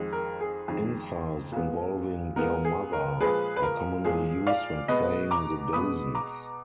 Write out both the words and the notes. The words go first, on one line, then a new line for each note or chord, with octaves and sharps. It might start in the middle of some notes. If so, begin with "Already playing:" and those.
Insults involving "your mother" are commonly used when playing the dozens.
Already playing: F2 D#3 G#3
A#4
G#4
F2 D#3 G#3
A#2 G#3 B3
A#2 G#3 B3 A#4
G#4
A#4
A#2 F3 G#3 G#4 B4
B4
A#4
A#2 F3 G#3 G#4
D5 F5
B2 G#3 B3 B4 D#5
A#5 D6
B2 G#3 B3 B5 D#6
A#5 D6